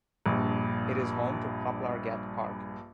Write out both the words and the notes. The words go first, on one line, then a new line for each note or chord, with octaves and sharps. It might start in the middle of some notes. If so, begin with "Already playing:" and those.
It is home to Poplar Gap Park.
A#1 G2